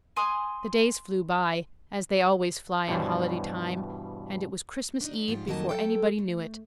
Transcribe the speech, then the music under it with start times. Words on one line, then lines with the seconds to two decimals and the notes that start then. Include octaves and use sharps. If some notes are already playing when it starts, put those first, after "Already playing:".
The days flew by, as they always fly in holiday time, and it was Christmas eve before anybody knew it.
0.17 G#5 C6 D#6
2.88 G2 B2 E3 G3 C5 C#5
5.01 D4 D#4
5.13 F#2
5.28 G#2 F3 F4 G4
5.47 F2 D#3 F#3 A#3 D#5 A5
5.69 F#3 A4 G5
6.18 A3